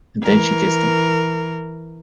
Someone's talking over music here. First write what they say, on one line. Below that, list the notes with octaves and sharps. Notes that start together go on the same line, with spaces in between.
And then she kissed him.
E3 A#4